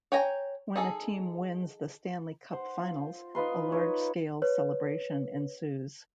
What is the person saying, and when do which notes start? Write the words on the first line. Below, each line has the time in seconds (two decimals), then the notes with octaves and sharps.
When a team wins the Stanley Cup Finals, a large-scale celebration ensues.
0.12 C#5 G5 G#5 A#5
0.76 D#4 G#4 A4
2.51 C5 F#5
2.79 F4
3.35 D#4 F4 B4 C6
3.72 B4 C#5
4.42 B4 C#5